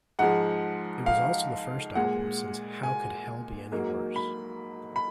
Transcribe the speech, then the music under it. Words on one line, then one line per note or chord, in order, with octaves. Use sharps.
It was also the first album since How Could Hell Be Any Worse?
G#2 F3 G#3 F#5
F5
A#2 G#3 F#5
G#5
G#2 F#3 A#3
B5
B5